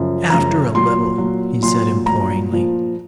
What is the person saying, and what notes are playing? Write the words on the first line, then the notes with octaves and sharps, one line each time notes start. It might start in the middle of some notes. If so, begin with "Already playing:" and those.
"After a little," he said imploringly.
Already playing: F#2 C#3 F3
F#2 C#3 F3 A#5
A#2 F#3 C6
A#2 F#3
A#2 F#3 C6
A#2 F#3 A#5
A#2 F3